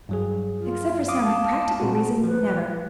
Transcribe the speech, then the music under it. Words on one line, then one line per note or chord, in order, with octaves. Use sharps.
"Except for some practical reason--never."
G2 F#3 G#4
F4
F5 D6 D#6
A5
A#2 C4 F#4
F3 B4